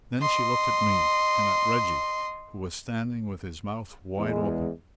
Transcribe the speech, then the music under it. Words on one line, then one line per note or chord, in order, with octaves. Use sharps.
Then she looked at me, and at Reggie, who was standing with his mouth wide open.
D#5 C6
E2 G#3